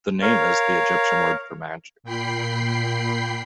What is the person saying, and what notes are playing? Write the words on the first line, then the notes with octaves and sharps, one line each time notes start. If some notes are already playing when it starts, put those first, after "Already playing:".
The name is the Egyptian word for "magic".
A#4 C#5 F5
A#2 G5 B5 C7